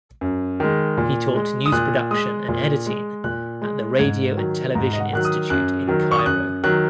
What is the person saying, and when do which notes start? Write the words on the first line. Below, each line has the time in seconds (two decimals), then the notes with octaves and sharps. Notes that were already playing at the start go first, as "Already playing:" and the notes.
He taught news production and editing at the Radio and Television Institute in Cairo.
0.21 F#2
0.60 D#3 G#3
0.98 A#2
1.35 G#3
1.66 D#6
1.72 A#2 F#6
2.11 G#3 D#6
2.49 A#2
2.86 G#3
3.24 A#2 F#6
3.62 G#3
3.99 G#2 G#6
4.37 D#3 F#3
4.75 G#2 A#5
4.93 D#5
5.00 F#5
5.13 D#3 F#3 F#6
5.25 D#6
5.50 F#2 F#6
5.87 D#3 F#3
6.12 C#6
6.19 D#6
6.26 F#2 F#6
6.64 D#3 F#3 F#6